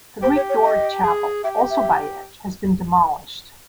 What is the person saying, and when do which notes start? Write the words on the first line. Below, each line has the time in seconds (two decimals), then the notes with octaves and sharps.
The Greek Doric chapel, also by Edge, has been demolished.
0.22 G4 C5
0.36 C#5
0.49 C#5
0.63 D#5
1.04 G#4
1.44 G4 E5
1.57 D#5
1.70 E5